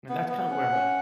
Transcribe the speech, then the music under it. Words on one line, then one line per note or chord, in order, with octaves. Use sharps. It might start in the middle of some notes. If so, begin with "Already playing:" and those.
and that's kind of where I'm at.
B3
B3
C#4 F#5
C#4